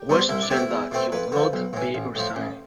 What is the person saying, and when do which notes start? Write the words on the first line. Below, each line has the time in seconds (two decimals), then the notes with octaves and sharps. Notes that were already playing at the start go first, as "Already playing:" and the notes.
Western said that he would not be resigning.
Already playing: G4
0.09 B2 G3 C4
0.29 C2 E4
0.43 D4
0.50 B2 A3 C4
0.56 E4
0.71 E2
0.91 B2 A3 C4
1.12 F2 B4
1.32 D3 F3
1.53 B1
1.73 A2 E3
1.94 A1
2.15 A2 F3
2.36 A1